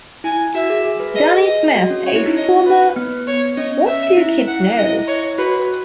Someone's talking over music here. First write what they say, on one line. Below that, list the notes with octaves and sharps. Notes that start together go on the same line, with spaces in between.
Donnie Smith, a former What Do Kids Know?
E4 G#5
F#4 E5
G#4
G#4
B4
G#4 D#5
D#5
F#4
C#4
C#5
E4
D#4
D#5
B4
B3
C#5
C#4 D#5
E5
E4
F#5
E4 D#5
C#5
F#4 B4